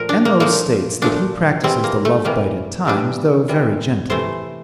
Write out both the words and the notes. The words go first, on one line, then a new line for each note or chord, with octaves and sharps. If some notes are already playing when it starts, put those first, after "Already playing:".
M.O. states that he practises the love-bite at times, though very gently.
Already playing: A#2 F3 A3 A#4
D4
A#3
A#2 F3 A3 A#3
A#2 F3 A3 D4
C3 E3 G3 C4
A#3
A3
C3 E3 G3 A#3
C3 E3 G3 D4
C3 E3 G3
C3 E3 A3 C5